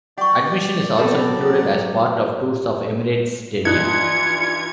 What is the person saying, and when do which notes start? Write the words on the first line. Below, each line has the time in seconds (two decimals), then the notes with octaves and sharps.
Admission is also included as part of tours of Emirates Stadium.
0.18 G4 D5 F#5 C#6
0.98 F#3 B3 C4 A4
3.65 G2 E3 D#4 F4 F#6 G#6 C#7